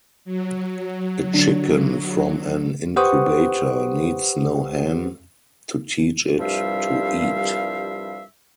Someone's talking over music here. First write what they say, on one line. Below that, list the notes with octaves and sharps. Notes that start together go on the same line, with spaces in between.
A chicken from an incubator needs no hen to teach it to eat.
F#3
D3
G4 B4 C5 F#5 C#6 D#6
C2 G2 F3 G3 E5 F5